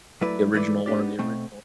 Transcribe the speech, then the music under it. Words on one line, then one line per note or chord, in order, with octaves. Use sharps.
The original, one of the original.
F#3 A3 E4 B4 D5
E3 A3 E4 B4 D5
B3 D4 G4 D5
B2 A3 C4